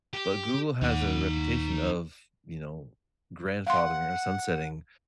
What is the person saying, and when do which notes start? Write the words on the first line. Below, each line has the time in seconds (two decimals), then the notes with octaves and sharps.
but Google has a reputation of, you know, grandfathering or sunsetting,
0.14 G4
0.82 D#2 D#4 F#5
3.67 F5 F#5 C6